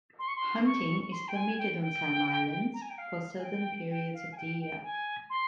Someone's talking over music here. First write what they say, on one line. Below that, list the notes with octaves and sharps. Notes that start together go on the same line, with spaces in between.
Hunting is permitted on some islands for certain periods of the year.
C6
C#6
C6
C#6
C6
G5
G#5
G5
G5
A#5
G#5
G5
F5
G#5
G5
G5
F5
G#5
G5
G5
G#5
C6